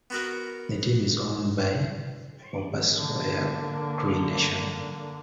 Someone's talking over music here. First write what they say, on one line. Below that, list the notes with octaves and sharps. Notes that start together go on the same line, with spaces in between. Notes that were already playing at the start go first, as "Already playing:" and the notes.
The team is owned by the Opaskwayak Cree Nation.
B3 F#4 A#4
D3 A#3